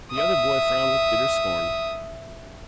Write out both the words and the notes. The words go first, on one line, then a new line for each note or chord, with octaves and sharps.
The other boy frowned with bitter scorn.
E5 D#6